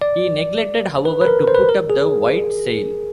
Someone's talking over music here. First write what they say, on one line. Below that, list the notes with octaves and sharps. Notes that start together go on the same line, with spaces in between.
He neglected, however, to put up the white sail.
D5
B4
B4
A#4
C5
B4
A#4
G#4